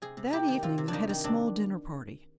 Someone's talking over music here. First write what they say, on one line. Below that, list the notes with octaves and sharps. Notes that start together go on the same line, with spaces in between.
That evening I had a small dinner-party.
C3 G#4
C3
A#3 G4
D#3
C3 F4
C3
D4
A#3 D#4
D#3
C3 D4